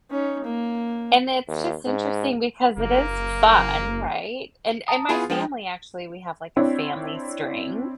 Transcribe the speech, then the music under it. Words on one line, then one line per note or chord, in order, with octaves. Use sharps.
and it's just interesting because it is fun, right? And and my family actually we have, like, a family string,
C#4 D#4
A#3
D#2
G#2
F#1 A#3
A5 A#5 D#6
B3 E4 F4 G#4 G#5 B5
F3 G#3 D4 G5
C4 D4 E4 C#5